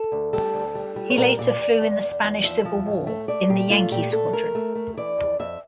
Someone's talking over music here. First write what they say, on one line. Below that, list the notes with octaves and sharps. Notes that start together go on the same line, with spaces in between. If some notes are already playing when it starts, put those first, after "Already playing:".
He later flew in the Spanish Civil War in the Yankee Squadron.
Already playing: A4
D2
G3 A4
D2
G3
G3
C#5
A#2 A#4
A#2 D5
E2
E2
E2
E2
F3 E5
F3
A2
A3
A3 D5
A#2 G4
A3 F4
A#2 G4
A3 A4
A3 A#4
A3
A3
E3 D5
F2
F2 E5